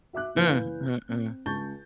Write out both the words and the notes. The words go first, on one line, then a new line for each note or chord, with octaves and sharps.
Mm, mm-mm.
F#4 E5 D6 F#6
F#1 E3 B4 F5 G6
C4
C#2 A5 C#6 G6 A6 G7